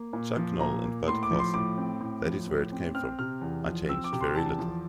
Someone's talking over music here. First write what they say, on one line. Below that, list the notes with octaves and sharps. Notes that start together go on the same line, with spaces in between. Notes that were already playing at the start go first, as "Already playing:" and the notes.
Chuck Noll and Bud Carson-that is where it came from, I changed very little.
Already playing: A#3
A#2
F3
A#2 A#5
A#3
A2 C6
D6
F3
C6
A2 D6
C4
A2
F3
A2
C4
C4 F6
C3 F6
E2
F3
C4 E6
D6
C3
C6
E2 A5
F3